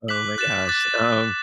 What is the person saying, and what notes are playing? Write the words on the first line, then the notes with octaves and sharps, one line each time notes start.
Oh my gosh, um
D6 F#6 B6 F#7
F#6 A6 E7
D6 F#6 A6